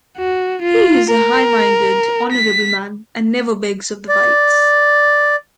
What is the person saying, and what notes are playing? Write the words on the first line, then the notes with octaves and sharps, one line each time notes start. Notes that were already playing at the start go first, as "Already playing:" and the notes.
He is a high minded, honorable man and never begs of the whites.
F#4
F4
A#4
B6
D5